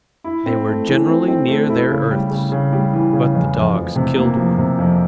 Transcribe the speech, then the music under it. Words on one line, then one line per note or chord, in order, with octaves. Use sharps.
They were generally near their earths, but the dogs killed one.
E4
C4
A3
E3
C4
C4
A3
E4
C#3
G3
C#3
C#3
G3
E3
C#3
E2
F2
F3
C3
A#3
F3
C3
F2